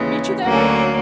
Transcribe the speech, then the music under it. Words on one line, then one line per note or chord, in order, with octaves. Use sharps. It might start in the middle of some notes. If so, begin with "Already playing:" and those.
Meet you there?
Already playing: D#2 C#3 E3 G#3
D2 D3 F#3 A#3 C#4